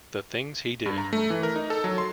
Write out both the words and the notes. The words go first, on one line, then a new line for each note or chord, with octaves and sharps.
The things he did.
G2
A#5
A3
E3
A#4
D#4
A4
F#3
C6